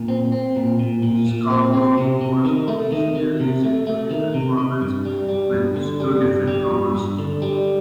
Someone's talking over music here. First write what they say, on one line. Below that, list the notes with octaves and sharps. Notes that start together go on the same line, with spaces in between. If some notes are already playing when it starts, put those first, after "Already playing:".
"Scatology" was officialy released in two different formats with two different covers.
Already playing: A#2
C4
C4
A#2
A#2
A#2
A#2
C4
C4
C3
C3
D#3
A3
D#3
D#3
C3
A3
A3
D#3
C3
C3
G2
G3
G3
G2
D3
G3
G2
G3
G2
G2
D3
G3